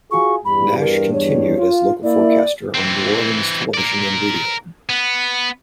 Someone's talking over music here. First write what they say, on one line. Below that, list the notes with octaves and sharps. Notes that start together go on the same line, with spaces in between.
Nash continued as a local forecaster on New Orleans television and radio.
F4 F#4 G#4 C#6
E2 G2 B5
A#4
C#5
F4
A#3 E4 D5
E3 C4
A#4 D5
B3